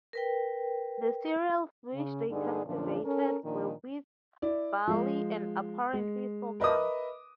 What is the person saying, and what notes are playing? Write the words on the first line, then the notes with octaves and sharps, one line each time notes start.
The cereals which they cultivated were wheat, barley, and apparently sorghum.
A#4 B4 G5
C#3
G2 D3 B3 D4 D#4 G#4
F#2 A#2 D3 F3 C#4 D4
C#4 A4 A#4
A#2 D#3 F3 A#3 D4 D#4
E4 D5
F3 G#3
G#3
A#4 B4 D#5 E5 D6 D#6